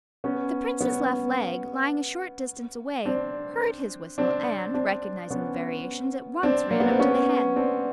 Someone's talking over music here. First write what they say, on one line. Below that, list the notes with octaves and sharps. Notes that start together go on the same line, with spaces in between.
The Prince's left leg, lying a short distance away, heard his whistle, and, recognizing the variations, at once ran up to the head.
B3 C#4
B3 C#4
C4 D4
C4 D4
C4 D4
B3 C#4
C4 D4
A#3
B3
C4
B3 C#4
C4 D4